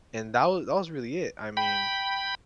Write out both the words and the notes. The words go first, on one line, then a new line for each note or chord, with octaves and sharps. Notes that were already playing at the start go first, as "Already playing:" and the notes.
and that wa that was really it, I mean
G5 B5